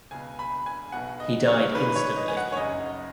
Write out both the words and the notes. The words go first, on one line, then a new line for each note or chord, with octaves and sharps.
He died instantly.
C#2 B2 G#5
B5
G#5
B1 B2 F#5
D#5
C#5
G#1 G#2 D#3 B4
C#5
D#5
G#5
F#5
C#5
F#1 F#2 C#3 D#5